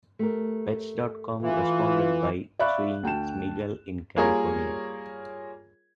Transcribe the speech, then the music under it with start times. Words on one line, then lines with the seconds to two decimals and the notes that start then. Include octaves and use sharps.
Pets dot com responded by suing Smigel in California.
0.19 A3 G4 A#4
1.42 E3 F4
2.59 D5 E5 F5 B5 C#6 F#6
3.03 D2 G5 A5 E7
4.16 G3 A#3 F4 G#4 A#4 C#5